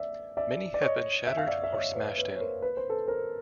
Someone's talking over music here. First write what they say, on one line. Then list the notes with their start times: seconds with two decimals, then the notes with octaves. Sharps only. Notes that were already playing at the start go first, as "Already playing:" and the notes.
Many have been shattered or smashed in.
Already playing: D5 E5
0.37 D5 E5
0.74 D5
0.82 C#5 D#5
1.27 E5
1.37 F5
1.47 D5 E5
1.64 E5
1.72 C#5 D#5
1.95 B4 C#5
2.17 B4 C#5
2.36 C#5
2.40 A#4 C5
2.62 B4
2.77 C5
2.90 A4 B4
3.08 A#4 C5